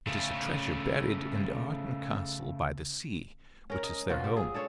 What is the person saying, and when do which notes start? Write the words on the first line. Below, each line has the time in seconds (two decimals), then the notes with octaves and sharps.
It is a treasure buried in Arden Castle by the sea, which is their home.
0.07 C#3 A3
3.70 C#4 A#4
3.83 D#5
4.09 B2 F4 F#4
4.24 C4 G4
4.37 G#4
4.54 D4 A4 C#5